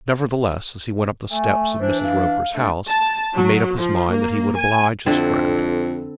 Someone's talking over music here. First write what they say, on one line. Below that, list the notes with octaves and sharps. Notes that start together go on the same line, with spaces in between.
Nevertheless as he went up the steps of Mrs. Roper's house he made up his mind that he would oblige his friend.
A3 G#5
E3 D4 C5
F5
A3 D4
A5
F#3
F3
A#3
G#5
F2 D3 C4 E4